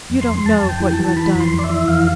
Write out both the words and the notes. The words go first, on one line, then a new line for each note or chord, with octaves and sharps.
You don't know what you have done.
F2
C6
F2
F2 A5
F2
G5
E3
A5
E3
A5
E3 B5
F2 B5
C6
F2
D5
E5
E3
F2 F5